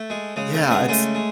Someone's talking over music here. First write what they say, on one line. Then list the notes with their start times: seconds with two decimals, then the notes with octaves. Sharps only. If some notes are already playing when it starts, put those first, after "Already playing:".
Yeah, it's
Already playing: A3
0.10 G#3
0.36 C#3 G#3
0.54 A3
0.63 C#3
0.71 G#3 B3
0.88 G#3 A3 C#4
1.15 G#3